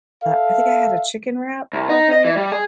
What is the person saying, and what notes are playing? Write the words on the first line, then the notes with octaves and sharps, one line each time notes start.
I think I had a chicken wrap, probably?
A4 E5 F5
C2
D#4
D#5
E3
G3
G#4